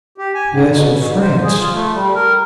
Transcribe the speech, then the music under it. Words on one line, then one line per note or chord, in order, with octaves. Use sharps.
Yes, of France.
G4
G#5
G#2
B2
G#2
C5
G#4
F4
A3
G3
A#4